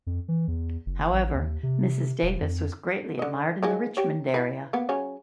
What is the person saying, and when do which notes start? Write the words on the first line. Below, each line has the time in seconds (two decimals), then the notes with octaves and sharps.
However, Mrs. Davis was greatly admired in the Richmond area.
0.07 F2
0.28 E3
0.48 E2
0.86 F#1
1.12 A1
1.34 D#2
1.63 C3
2.23 E1
2.41 F2
3.19 D3 D#5
3.63 D#3 F3 G#3
3.97 G4 C#5
4.34 E4 B4
4.73 A#3 B3
4.89 C#3 F#3 C#4